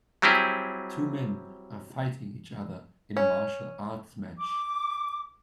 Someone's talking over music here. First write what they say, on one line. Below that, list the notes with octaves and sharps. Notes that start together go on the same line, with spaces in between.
Two men are fighting each other in a martial arts match.
F#3 G3 C4 E4 G4 G#4
C#4
D6